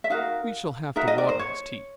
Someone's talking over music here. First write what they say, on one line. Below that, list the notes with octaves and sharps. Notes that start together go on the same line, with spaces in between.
"We shall have to water his tea."
E5
D#4 F#4 A#4 F5
D#4 F#4 A#4 E5
D#5
D5
C5
C#5